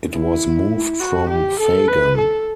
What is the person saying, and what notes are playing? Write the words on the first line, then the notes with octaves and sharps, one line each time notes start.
It was moved from Fagan.
E4
F#4
G4
A4
B4
A4